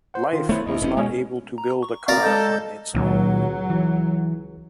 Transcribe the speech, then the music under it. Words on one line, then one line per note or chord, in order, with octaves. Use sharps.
Life was not able to build a car on its own.
C5 F#5
D#3 F4
A3 B3 E4 C5 C#5
D2 E4 D#5
F1 G#2 C#4
B2 G#3 C#4 F#4
A#5
C#6
C4 F#4 A#4 D5 F5 A#5
G#3 A4 D#5 G6
C#2 A#2 D#3 F#3
E3